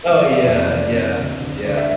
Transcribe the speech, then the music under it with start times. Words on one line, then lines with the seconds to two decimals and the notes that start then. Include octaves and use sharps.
Oh, yeah, yeah, yeah.
0.19 F3 D5
0.33 E5
0.43 F1 D5
0.68 E2 D5
0.91 C3
1.16 D2
1.40 D2
1.64 D3 D5
1.77 E5